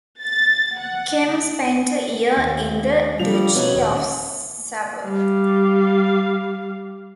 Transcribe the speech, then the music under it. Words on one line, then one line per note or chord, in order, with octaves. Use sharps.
Cem spent a year in the Duchy of Savoy.
A6
F#5
D#2
F3 G3 D4 F7
B2 B3 D#4 C#5
D#1
G3 F5